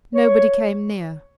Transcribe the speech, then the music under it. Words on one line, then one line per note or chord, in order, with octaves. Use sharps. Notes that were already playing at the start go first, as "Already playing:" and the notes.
Nobody came near.
C#5